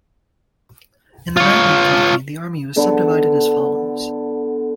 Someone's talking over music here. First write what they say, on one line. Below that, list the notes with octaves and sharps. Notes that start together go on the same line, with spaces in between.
In the Maryland Campaign the Army was subdivided as follows.
F4 C#5
D3 B3 A4